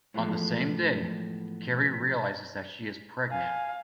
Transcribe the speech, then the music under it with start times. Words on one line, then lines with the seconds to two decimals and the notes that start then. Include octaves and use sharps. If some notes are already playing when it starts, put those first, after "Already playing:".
On the same day, Carrie realizes that she is pregnant.
0.14 A2 E3 F3 G#3 A3 B3
3.32 F5 G#5